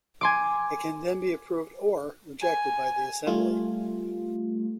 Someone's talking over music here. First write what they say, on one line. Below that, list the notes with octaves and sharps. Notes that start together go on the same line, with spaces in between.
It can then be approved or rejected by the Assembly.
G#5 C6 D6
G#5
G3 A3 F4